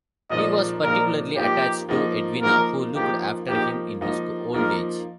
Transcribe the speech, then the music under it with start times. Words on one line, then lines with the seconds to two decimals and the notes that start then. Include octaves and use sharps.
He was particularly attached to Edwina, who looked after him in his old age.
0.30 A#2 F3 A#3 D#4 D#5
0.83 A#2 F3 A#3 D#4 A#4
1.36 F3 A#3 D#4 G4
1.89 F3 A#3 D#4
2.42 F3 A#3 D#4 A#4
2.95 F3 A#3 D#4 G4
3.48 F3 A#3 D#4 G4
4.01 F3 A#3 D#4
4.54 F3 A#3 D#4 A#4